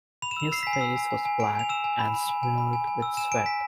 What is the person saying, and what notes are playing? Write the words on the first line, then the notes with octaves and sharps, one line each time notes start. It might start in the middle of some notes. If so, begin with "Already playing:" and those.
His face was black, and smeared with sweat.
B5 F7
E7
E6 F7
E6 C7
G#5 B6
C7
E6
G#5
G#5
G#5
G#5 D7
G#5 F7
E6 E7
G#5
B5
B5
G#5
G#5
B5
G#5
G#5
E6
G#5 E7
G#5 D7
G#5 B6